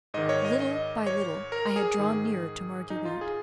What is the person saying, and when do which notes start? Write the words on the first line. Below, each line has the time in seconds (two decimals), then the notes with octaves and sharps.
Little by little I had drawn nearer to Marguerite.
0.14 G#2 D#3 D#5
0.29 C#5
0.45 D#5
0.60 D#5
1.07 C#5
1.52 A#4
1.76 G#4
1.99 G#2 D#3
2.90 D#4
3.05 F4
3.21 G#4